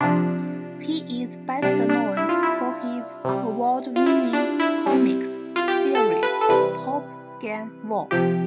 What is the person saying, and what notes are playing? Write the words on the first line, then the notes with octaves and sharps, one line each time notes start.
He is best known for his award-winning comics series "Pop Gun War".
C3 F3 D4
C3 G3 D4
D4
E4
F4
E4
C3 G3
F4
E4
D4
E4
C3 G3
F4
G4
A4
B4
A4
C3 E3 G3 B4
C3 F3 G4